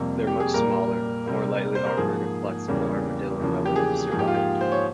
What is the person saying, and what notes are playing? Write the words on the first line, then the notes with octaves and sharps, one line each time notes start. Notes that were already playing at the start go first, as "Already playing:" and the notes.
Their much smaller, more lightly armored and flexible armadillo relatives survived.
Already playing: F2 C3 G3 A#3
G4
G#4
A#2 G3 A#3 A#4
C3 G3 A#3
C5
A#4
G#2 F3 A#3 G#4
E2 C#3 G3 A#3
E2 C#3 F3 A#3
G4
G#4
G#2 F3 A#3 G#4
G4
F4
G4
C5
C#5